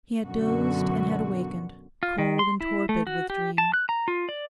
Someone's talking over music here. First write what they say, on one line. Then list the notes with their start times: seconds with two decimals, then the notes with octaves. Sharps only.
He had dozed and had awakened, cold and torpid with dream.
0.24 F#2 B2 D3 F#4
2.03 F4
2.18 D#3
2.39 C6
2.61 E4
2.89 A3
3.07 F#4
3.30 G4
3.58 A5
3.74 F#6
3.89 A#5
4.08 F4
4.29 D5